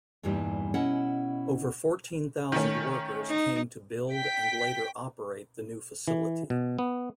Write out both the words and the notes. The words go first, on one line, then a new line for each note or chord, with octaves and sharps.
Over fourteen thousand workers came to build and later operate the new facility.
E2 G2 A#2 E3 G3 D#4
B2 C#4 E4 D#5 F#5
D#3 A3 C#4
D#4
G5 B6
E3
B2
B3